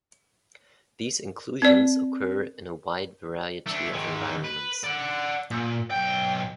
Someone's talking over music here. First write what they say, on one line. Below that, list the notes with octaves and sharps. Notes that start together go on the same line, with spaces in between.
These inclusions occur in a wide variety of environments.
C4 D5
A3 D4
D#3 G#3
B4
D5 F#5
A#2
B1 G5